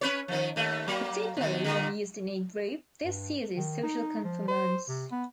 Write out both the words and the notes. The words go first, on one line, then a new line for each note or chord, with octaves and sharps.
Particularly when used in a group, this uses social conformance.
C#4 B4 C#5
D#3 F3
D#2 A3
F#3 A#3
B2 D#3
A#2 D3
G2
D#3
D#4
F3
C5
C3
B3